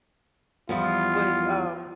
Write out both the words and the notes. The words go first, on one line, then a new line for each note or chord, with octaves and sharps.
was, um,
E2 F3 G3 F4